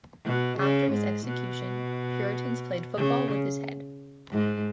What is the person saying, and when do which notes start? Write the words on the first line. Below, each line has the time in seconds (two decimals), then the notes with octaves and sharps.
After his execution, Puritans played football with his head.
0.25 B2
0.59 C#3
0.92 G#2
1.26 B2
2.96 C#3
4.32 G#2